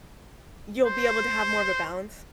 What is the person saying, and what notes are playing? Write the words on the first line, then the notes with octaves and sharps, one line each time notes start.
you'll be able to have more of a balance.
C5